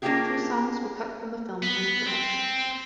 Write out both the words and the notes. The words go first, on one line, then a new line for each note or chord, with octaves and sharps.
Two songs were cut from the film during production.
A#3 C#4 D4 F4 G4 G#4
B3
C4